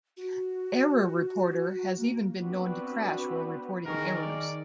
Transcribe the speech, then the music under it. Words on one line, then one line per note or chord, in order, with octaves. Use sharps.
Error Reporter has even been known to crash while reporting errors.
F#4
A#3
B3 C4 D4 F#4 B4
D#3 G#4 A#4 C#6
D5